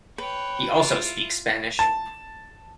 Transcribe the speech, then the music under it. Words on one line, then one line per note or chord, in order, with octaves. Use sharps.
He also speaks Spanish.
B4 C#5 G5
E4 F4
A5